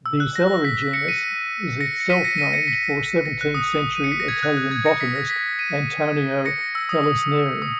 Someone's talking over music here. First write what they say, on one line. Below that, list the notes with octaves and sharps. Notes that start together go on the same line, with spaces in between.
The celery genus is itself named for seventeenth century Italian botanist Antonio Vallisneri.
E6
F#6
A#6
B6
A#6 C#7
B6 D#7
A#6 C#7
C#7
B6 D#7
A#6 C#7
B6 D#7
A#6 C#7
B6
A#6
F#6
D#6
D#7
C#7
B6
A#6
G#6
F#6
F#6
G#6
A#6 C#7
B6
A#6
B6
B6 D#7
A#6 C#7
E6
D#6
D#6
D#6